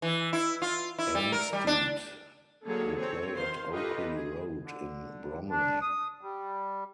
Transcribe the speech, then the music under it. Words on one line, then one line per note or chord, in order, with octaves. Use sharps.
Elmstead, who play at Oakley Road in Bromley.
E3
E4
F4
E4
G3
A#4
G3
D4
D3 F#3 A#3 G#4 A4 C#5
C4 A4 C#5
D#3 C5 F5 C6
D#4 F4 G4 A4 B4 D#5
G#4
D3
D4
D#6
G3